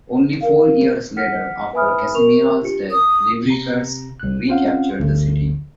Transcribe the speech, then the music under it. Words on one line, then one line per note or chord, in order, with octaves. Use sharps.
Only four years later, after Casimir's death, Liubartas recaptured the city.
A#4 F5
F#5 F6 B6 C#7
B4 E5 G#5 B5 D#6 F6
A#4 C#6 F7
D4 F4 G4 C#7
D#6
C3 A#5
C2 F#6
C4 C#4 F4 C5 F5 F#5
G1 D2 D3